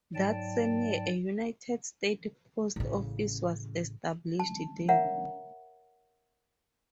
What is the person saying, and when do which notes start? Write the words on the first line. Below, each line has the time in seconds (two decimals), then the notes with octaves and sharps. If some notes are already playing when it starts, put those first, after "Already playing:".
That same year, a United States Post Office was established there.
0.15 G#2 F#3 D5 G5 A5
2.76 A1 C#3
4.40 A5
4.89 A#4 C#5 E5 F#5 A#5